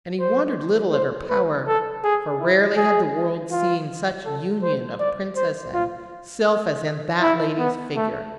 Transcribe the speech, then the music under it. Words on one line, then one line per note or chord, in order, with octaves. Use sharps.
And he wondered little at her power, for rarely had the world seen such union of princess and sylph as in that lady's figure.
C5
C5
B4
A4
G#4
E4
G#4
F4
A4
C5
D5
C5
F4
E4
B3
A3